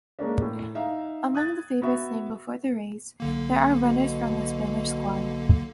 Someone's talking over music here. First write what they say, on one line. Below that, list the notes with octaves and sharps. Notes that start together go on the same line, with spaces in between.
Among the favorites named before the race, there are runners from the Spanish squad.
G#3 A#3 C#4 D4
A2
D#4 E5 F5
D#6 F#6 G#6 A6
B3 F#4 E5
B1 D3 A#3
B2